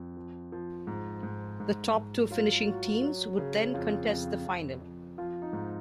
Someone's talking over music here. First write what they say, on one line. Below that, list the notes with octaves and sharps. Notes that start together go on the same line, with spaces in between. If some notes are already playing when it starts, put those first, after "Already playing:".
The top two finishing teams would then contest the final.
Already playing: F2
F3
F3
G#2
G#2
G#2
G#2
F#3 F4
F#3 F#4
F#3
C#3
F2 F4
F2
F2
F2
F3 F4
D#4
G#2